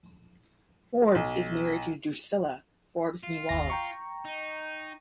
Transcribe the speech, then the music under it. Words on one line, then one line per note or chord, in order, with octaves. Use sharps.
Forbes is married to Drucilla Forbes nee Wallace.
B1
F4
G1 D#2 A#6
G5 A#5 C#6
D#4